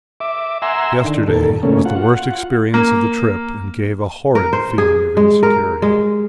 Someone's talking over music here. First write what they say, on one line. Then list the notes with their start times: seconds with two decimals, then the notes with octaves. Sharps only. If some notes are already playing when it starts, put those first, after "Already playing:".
Yesterday was the worst experience of the trip and gave a horrid feeling of insecurity.
0.20 E5 D6
0.62 E5 F#5 G#5 A#5 C6 E6
1.04 D3 D#3
1.28 D#2 A#2 A4
1.63 C#3 A3 A#3 C#4
1.85 F4 F#5
2.74 A#3
4.35 A#4
4.53 C5
4.78 G#4
5.17 G#3
5.43 A#4
5.82 G#3